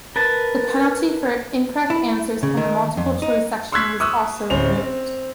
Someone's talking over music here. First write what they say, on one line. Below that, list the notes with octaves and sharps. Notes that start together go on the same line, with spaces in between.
The penalty for incorrect answers on the multiple choice section was also removed.
A#4 B4 A5
E4
C#3
D#3
F2
D#4
C6 C#6 E6 F#6 G#6 B6
C#6 D#6 E6 F#6
D1 C#4 C5 F7
C4